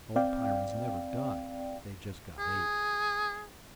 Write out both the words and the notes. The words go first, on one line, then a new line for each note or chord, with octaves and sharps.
Old Pyrrans never died, they just got et.
C4 D5 F5 G5
G#4